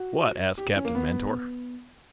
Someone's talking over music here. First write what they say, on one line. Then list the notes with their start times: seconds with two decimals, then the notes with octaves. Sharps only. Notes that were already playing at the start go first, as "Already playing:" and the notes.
"What?" asked Captain Mentor.
Already playing: F#4
0.58 G4
0.76 C#4
0.85 A#3
0.95 B3